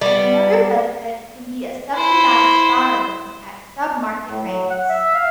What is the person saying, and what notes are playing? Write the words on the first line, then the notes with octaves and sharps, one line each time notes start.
Another benefit can be a subsidized borrowing at sub-market rates.
G3 B3
E4 C5
A2
F#3
F#5
E5
F5